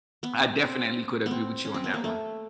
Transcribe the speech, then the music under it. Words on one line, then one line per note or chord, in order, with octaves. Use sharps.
I definitely could agree with you on that one.
B3
C4
B3
C4
C#4
C4
B3
A#3
A3